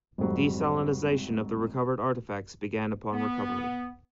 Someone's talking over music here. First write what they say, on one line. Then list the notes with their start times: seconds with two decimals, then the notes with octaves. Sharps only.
Desalinization of the recovered artifacts began upon recovery.
0.18 G#1 F2 F#3 G3
3.12 B3